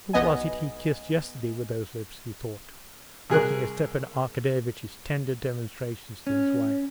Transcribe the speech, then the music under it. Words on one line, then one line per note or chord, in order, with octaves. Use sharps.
"Who was it he kissed yesterday with those lips?" he thought, looking at Stepan Arkadyevitch's tender demonstrations to his wife.
B1 B3 D#5 G#5
C2 G#4 A#4 F#6
C#4